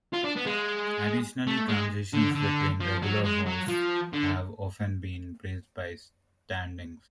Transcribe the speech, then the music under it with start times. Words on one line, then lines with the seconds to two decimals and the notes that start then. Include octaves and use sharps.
Addotionally, transitions between regular hosts have often been bridged by stand-ins.
0.13 F4
0.24 D4
0.36 B3
0.46 G#3
1.47 A3
1.69 G#3
2.13 D3
2.35 D3
2.80 F3
3.03 F#3
3.24 G#3
3.46 F#3
3.68 F3
4.13 D3